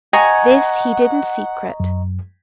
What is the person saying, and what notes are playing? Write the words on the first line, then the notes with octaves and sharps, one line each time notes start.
This he did in secret.
D#5 F#5 G#5 A#5 C#6
F#2